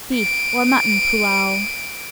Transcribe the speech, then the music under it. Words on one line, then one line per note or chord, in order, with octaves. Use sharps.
Beef or Mutton Pullao.
D7 D#7